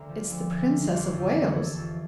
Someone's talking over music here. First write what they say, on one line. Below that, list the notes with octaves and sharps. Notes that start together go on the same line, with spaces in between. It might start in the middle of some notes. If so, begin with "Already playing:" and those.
"It's the Princess of Wales."
Already playing: D2 D3 A#4
F3
D2
D2
D3
F4
F2 G4
F2
G4
E3 A#4
C#5
E3
A4
F2 A4